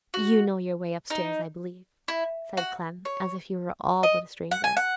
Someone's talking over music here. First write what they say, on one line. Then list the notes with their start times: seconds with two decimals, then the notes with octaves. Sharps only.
'You know your way upstairs, I b'lieve,' said Clem, as if he were all but a stranger.
0.14 F#4
1.10 D#4
2.08 E4
2.57 F#4
3.05 C#5
4.03 D#5
4.51 F#5
4.64 G#5
4.77 F#5